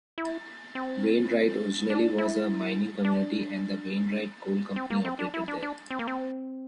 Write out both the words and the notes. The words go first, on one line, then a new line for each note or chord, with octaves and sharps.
Wainwright originally was a mining community and the Wainwright Coal Company operated there.
E4
C4
D4
E4
D4
C4
A#3
C4
D4
E4
D4
D4
C4
A#3
C4